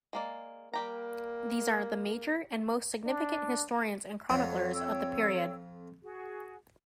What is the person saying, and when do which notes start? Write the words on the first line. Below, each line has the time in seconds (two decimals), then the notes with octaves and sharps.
These are the major and most significant historians and chroniclers of the period.
0.13 G#3 A#3 D5
0.74 G3 A#3 G4 A#5
3.05 D4
4.29 F2 F4 C#5 F#5
4.73 C#5 G5 E6
6.03 F#4 G#4